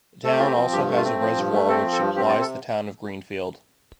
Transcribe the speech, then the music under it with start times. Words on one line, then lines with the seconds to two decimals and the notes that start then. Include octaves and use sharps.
The town also has a reservoir which supplies the town of Greenfield.
0.24 A3 A4
0.32 G4
0.39 C4 F4
0.45 G4
0.56 F3
0.72 G2 G4
0.88 A3
0.96 F4
1.05 C4
1.21 F3
1.36 G2
1.52 A3
1.68 C4 A4
1.84 F3
1.93 A4
2.00 G2
2.16 C4 G4
2.28 D5
2.33 C3
2.41 A4